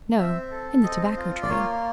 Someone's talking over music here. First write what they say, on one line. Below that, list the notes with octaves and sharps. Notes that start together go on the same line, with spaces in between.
'No, in the tobacco trade.'
C4 E5
A4
C4 D#5
F4
D5
A#3 C#5